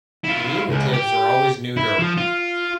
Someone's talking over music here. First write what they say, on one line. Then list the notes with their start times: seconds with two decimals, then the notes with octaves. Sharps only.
Diminutives are always neuter.
0.24 E4 F4
0.69 C#2
0.94 G4
1.77 E4
1.99 F3
2.17 F4